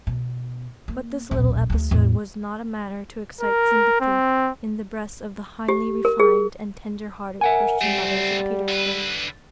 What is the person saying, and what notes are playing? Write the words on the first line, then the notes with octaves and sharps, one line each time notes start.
But this little episode was not a matter to excite sympathy in the breasts of the highly refined and tender-hearted Christian mothers of Petersburg.
B2
A#3
D#1 B1
D2 G#3
E2 A2
A#4
C4
G4
A#4
G#4
A#4 E5 F#5 G#5
G3 A3 C4
D3 B4